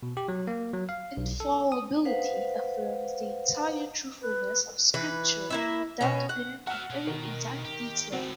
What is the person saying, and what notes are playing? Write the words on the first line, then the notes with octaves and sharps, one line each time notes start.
Infallibility affirms the entire truthfulness of scripture without depending on every exact detail.
B2
G4
F#3
A#3
F#3
F5
B1
A4
D#6
B4 C5 F5 F#5
B4
E3 B4
A#3 E4 E5
B2 C#4
F#5
F#4 E5 F#5 F6
B2
D#3
G4
C#2 A2 C4 F#4